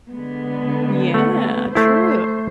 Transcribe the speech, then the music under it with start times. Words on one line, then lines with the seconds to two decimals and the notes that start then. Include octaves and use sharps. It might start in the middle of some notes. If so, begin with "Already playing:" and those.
Yeah, true.
0.12 D3 G#3 B3
1.14 A3 F#5
1.75 A3 E4 C5